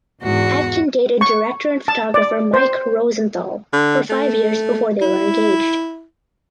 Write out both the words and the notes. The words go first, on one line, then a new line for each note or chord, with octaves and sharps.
Atkin dated director and photographer Mike Rosenthal for five years before they were engaged.
E2 G#2 F#4
C#6
A5
D5
C5
D3
A3
E4